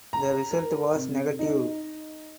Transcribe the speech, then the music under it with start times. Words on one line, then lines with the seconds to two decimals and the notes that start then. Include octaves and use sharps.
The result was negative.
0.13 A#5
0.51 A#4
0.95 C3
1.39 D#4